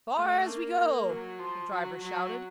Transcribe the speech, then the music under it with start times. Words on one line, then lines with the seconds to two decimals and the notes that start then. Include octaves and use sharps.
"Far as we go!" the driver shouted.
0.16 A3
0.47 A#3
0.78 A#3
1.08 F#3
1.39 F3
1.70 F#3
2.01 F#3